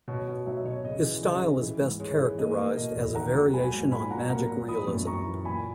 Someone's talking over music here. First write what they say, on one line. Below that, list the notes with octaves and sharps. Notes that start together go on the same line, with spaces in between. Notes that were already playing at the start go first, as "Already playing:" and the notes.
His style is best characterized as a variation on magic realism.
B2 C#5
B2
F#3 C#5 E5
D#5
B2 C#5
C#3 D#5
E3
C#3 D#5
C#3
E3
G#2
G#3 C#5
E3
A#3 D#5
A#3
B2 D#5
E2
D#3 F#5 A#5
F#3
F#3 G#5 B5
G#2
A#2 G#5 B5
F#3 F#5 A#5
A#3 F#5 A#5
A#2
E3 B5 D#6
F#2
F#2 A#5 C#6
E3
A#2 G#5 B5